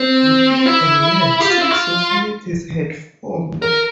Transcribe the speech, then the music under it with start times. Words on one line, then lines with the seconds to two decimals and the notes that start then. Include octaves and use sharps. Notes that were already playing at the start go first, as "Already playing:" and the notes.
Within a year, six societies had formed.
Already playing: C4
0.66 E4
1.40 G4
1.50 F4
1.61 E4
1.71 F4
3.62 A#4